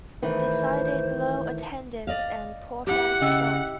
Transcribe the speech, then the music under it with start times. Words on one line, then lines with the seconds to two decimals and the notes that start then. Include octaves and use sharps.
They cited low attendance and poor fan support.
0.22 D#3 E3 A3 C5
2.07 D5 D#5 F5
2.87 E4 G4 F#5
3.21 C#3 D#5 G5 E6